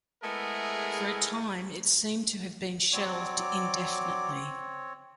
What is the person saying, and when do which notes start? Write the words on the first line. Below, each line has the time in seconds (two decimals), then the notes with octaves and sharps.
For a time, it seemed to have been shelved indefinitely.
0.23 G#3 A3 B3 E4 G#4 A#4
2.93 F#3 C4 C#5 D5 D6